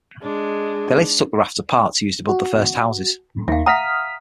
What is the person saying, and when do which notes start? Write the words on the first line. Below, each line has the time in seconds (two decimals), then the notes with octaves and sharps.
They later took the rafts apart to use to build their first houses.
0.22 G#3 D4
2.29 F#4
3.48 D#2 D#3 E5 F5
3.66 E5 F#5 A#5 D#6 F6 B6